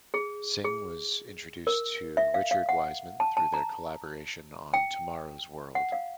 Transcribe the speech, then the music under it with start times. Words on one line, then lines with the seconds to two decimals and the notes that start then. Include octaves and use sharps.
Singh was introduced to Richard Wiseman through their collaboration on"Tomorrow's World".
0.14 G#4
0.65 G#4
1.67 A#4
2.17 E5
2.34 F5
2.51 F5
2.69 F#5
3.20 A5
3.37 A5
3.54 A#5
4.74 G5
5.75 F#5
5.92 F5